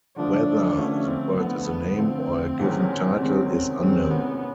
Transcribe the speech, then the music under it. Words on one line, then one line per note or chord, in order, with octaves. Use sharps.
Whether the word is a name or a given title is unknown.
D3 F3 A3 D4
D3 F3 A3 C#4
C4
D3 F3 A3 B3
D3 F3 A3 C4
E2 C3 D#3 G#3 C#4
E2 C3 D#3 G#3 C4 C#4
C4
E2 C3 D#3 G#3 C4 C#4
B3